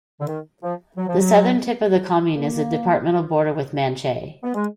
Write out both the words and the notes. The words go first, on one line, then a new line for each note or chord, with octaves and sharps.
The southern tip of the commune is the departmental border with Manche.
D3
D#3
F3
F#3
F3
F#3
A#3
B3
G#3